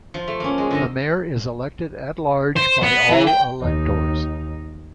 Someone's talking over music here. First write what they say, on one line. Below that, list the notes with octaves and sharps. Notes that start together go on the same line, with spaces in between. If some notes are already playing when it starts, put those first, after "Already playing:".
The mayor is elected at large by all electors.
F3
A3
A#3 C#4
G#3
D3 A4 D#5
C5
B3
E3
G5
D#2 D#4